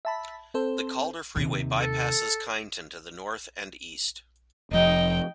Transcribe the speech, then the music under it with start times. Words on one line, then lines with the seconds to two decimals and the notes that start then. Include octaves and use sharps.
The Calder Freeway bypasses Kyneton to the north and east.
0.05 E5 A5 B5
0.54 C4 A4 C5
1.35 D#2 C3
1.80 A4
4.71 F1 F3 D#4 D#5 G5